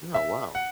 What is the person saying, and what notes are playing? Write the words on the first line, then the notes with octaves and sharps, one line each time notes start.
Oh, wow.
E5
F#5